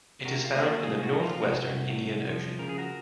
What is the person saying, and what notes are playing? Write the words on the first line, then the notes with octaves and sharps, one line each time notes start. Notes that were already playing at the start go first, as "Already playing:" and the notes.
It is found in the north western Indian Ocean.
C3 F#4 A#4
F4
A#3 G#4
F#4
C2 F4 G#4
F#4
F3
F4
F4
C3 F#4
C2
C2
F3
C#3 A#4
G#4
F#4 A#4